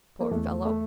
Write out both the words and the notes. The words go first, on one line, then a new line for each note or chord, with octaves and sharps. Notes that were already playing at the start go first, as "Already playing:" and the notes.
Poor fellow!
A#3
E2 A3
A3